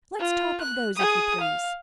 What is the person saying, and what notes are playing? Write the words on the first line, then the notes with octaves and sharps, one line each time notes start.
Let us talk of those, if you please.
F4
F#6
G#4 D#6
F5